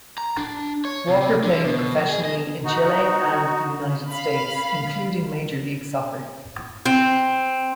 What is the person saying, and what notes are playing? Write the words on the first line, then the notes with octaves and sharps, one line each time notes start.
Walker played professionally in Chile and the United States, including Major League Soccer.
A#5
D4
C#5
C3
C3
D3
B2
F2
G#4
D#5
D#4 F#4
F5 B5
C4